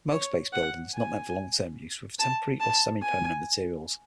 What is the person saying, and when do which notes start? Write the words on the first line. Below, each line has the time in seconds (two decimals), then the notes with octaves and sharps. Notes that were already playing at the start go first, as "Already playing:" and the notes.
Most base buildings, not meant for long-term use, were of temporary or semi-permanent materials.
0.11 C#5
0.53 F#5
0.95 G#5
2.19 A5
2.60 A5
3.02 G#5